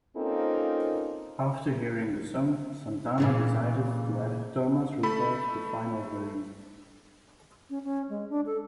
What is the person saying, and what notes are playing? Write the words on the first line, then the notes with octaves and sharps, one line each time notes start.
After hearing the song, Santana decided to have Thomas record the final version.
A#3 C4 C#4 D#4 F4 A4
A#2 C#3 E3
A3 A4 B5
C#4
C#4
G#3
D4
A4